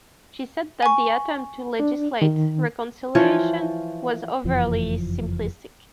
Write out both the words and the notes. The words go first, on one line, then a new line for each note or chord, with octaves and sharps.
She said that the attempt to legislate reconciliation was overly simplistic.
G#5 C#6
D4
D#3
E3 F3 F4 C#5
F#1 F2 E3 F3